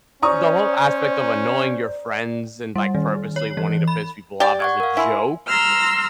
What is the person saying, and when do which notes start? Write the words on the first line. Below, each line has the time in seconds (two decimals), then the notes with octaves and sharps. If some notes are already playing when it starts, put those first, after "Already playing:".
the whole aspect of annoying your friends and, like, purposely wanting to piss people off as a joke
0.22 C#4 C5 D5 A#5 C#6 D#6
2.76 G3
2.95 D#3
3.36 C#5
3.57 E3
3.88 B5
4.40 G4 D5
4.60 F#5 C#6 G#6
4.80 A#4 F5
4.97 E4 G#5 C6
5.46 A#5 C6 E6 F6